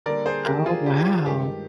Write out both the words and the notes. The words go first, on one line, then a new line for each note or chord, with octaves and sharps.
Oh, wow.
D3 G3 A#3 A#4 D5
G#4 C5
G4 A#4
F4 G#4
G4
G4
F4
G2 D#3 G#3 G4